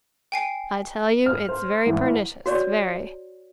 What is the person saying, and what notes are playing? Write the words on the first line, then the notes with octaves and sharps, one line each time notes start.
I tell you it's very pernicious--very!
G5 G#5 C7
F6
C5
A1
F#4 C#5 D5